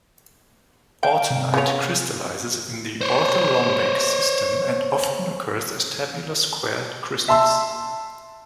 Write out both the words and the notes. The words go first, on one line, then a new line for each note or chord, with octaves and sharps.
Autunite crystallizes in the orthorhombic system and often occurs as tabular square crystals.
F5 G5 D7
C3
C#3 B3 C#5
C5 C#5
E5 A5 C6 E6